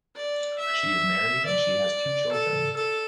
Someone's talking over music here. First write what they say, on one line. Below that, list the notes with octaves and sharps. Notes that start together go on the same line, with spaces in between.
She is married and she has two children.
D5
E5
D5
A4
A4